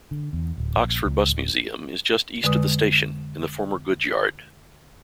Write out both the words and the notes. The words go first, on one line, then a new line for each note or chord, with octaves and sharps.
Oxford Bus Museum is just east of the station, in the former goods yard.
D3
E2
D1
A#1
C#2
D1
F2 D3 G#3 B4 D#6